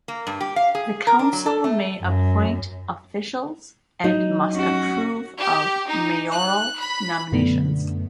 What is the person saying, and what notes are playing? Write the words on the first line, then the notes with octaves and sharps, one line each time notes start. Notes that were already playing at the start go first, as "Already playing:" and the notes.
The council may appoint officials and must approve of mayoral nominations.
A#3
G2
G4
F5
G#4
A#4
D4
F#3
A4
A3
F#2
F#3 D#4
C#4 F#4
G4
D#4
F#6
B5
F#2 B2 D3 A3 B3 D4